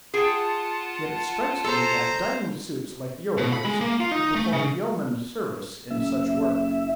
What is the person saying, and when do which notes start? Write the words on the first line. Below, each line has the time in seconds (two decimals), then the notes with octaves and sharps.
"Yet it strikes me that diving suits like yours could perform yeoman service in such work."
0.14 F4 G#4 F#5 G5 A5
1.64 A4 C5 A#5
3.38 B2
3.53 B5
3.65 G#3
3.81 A#3
4.00 F4
4.12 D#4
4.36 A3
4.53 C#3
5.90 F#1 E5